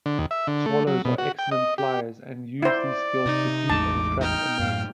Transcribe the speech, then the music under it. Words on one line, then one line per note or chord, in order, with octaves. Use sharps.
Swallows are excellent flyers, and use these skills to feed and attract a mate.
D3
D#2
E5
D3
A3
F#3
B2
F#4
G5
D#5
G4
E4 C5 D5
C3 D#4
A1 E2 G#3 A5 D6
D#4 G5 F6
F#2 A2 F5